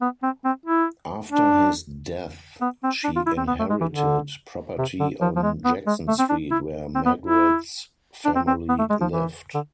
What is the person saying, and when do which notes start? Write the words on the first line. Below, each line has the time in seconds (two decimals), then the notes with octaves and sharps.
After his death, she inherited property on Jackson Street where Margaret's family lived.
0.01 B3
0.23 C4
0.45 C4
0.66 E4
1.32 D4
2.61 B3
2.84 C4
3.04 D4
3.16 F4
3.26 E4
3.37 C4
3.48 B3
3.60 A3
3.70 G#3
3.81 E3
3.92 D3
4.78 C3
5.00 D3
5.21 F3
5.36 F3
5.43 G#3
5.65 B3
5.87 G#3
6.08 A3
6.19 C4
6.30 D4
6.51 E4
6.95 C4
7.06 B3
7.27 E4
8.25 D4
8.36 C4
8.47 C4
8.69 B3
8.79 A3
8.90 G#3
9.01 F3
9.12 E3
9.55 D3